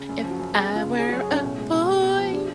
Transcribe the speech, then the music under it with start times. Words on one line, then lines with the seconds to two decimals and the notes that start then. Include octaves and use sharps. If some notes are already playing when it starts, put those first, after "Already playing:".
If I were a boy,
Already playing: C#3
0.09 F#2
0.24 F3
0.31 F#4
0.39 F#2
0.54 B3 G#4
0.69 C#3
0.76 F4
0.83 C#2
0.99 C#4 G#4
1.09 F#3 F#4
1.21 G#4
1.29 A2 C#4
1.44 B2
1.58 G#3
1.73 B2
1.87 G#4
2.03 B3
2.17 F3
2.32 D4 G#4